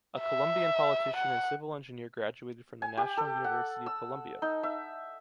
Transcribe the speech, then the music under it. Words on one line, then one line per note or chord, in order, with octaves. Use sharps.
A Colombian politician and civil engineer graduated from the National University of Colombia.
E5
F#5
G#5
G4
A4
F#5
E6
D#4
E5